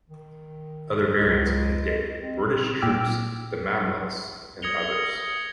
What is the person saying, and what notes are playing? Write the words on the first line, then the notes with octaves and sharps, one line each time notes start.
Other variants indict British troops, the Mamluks, and others.
D#3
C#2 D#5
C4
A#2 G5 D6 E6 F6 D7
D#6 G#6 A#6 C#7 F7 G7